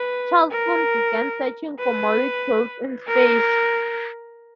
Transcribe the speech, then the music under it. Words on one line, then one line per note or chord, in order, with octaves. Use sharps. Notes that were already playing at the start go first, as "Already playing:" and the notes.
Charles soon began searching for molecules in space.
Already playing: B4
A#4
B4
A#4